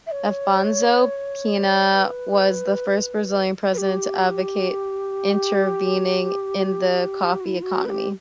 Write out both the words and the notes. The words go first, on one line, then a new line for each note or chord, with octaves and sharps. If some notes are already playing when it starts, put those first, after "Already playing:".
Afonso Pena was the first Brazilian president to advocate intervening in the coffee economy.
E5
C#5
C#5
B4
B4
G4
F#4
E4
F#4
B4
G4